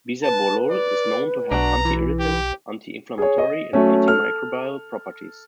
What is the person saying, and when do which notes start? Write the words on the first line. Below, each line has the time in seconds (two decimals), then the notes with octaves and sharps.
Bisabolol is known to have anti-irritant, anti-inflammatory and anti-microbial properties.
0.23 B4 A5
0.71 D5
1.52 B1 D4 F#4 A#5
1.85 E3
2.20 G4
3.18 G#4 C#5
3.38 D#5
3.73 F#3 A3 C#4
4.08 A4 F6